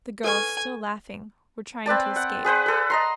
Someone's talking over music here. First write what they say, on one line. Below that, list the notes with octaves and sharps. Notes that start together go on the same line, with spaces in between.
The girls, still laughing, were trying to escape.
A4 B4 G#5 C#6
C4 B4 D5 A5
F#5
G#4 B4 C5 F#5
A4 B4
D#5 A#5 C6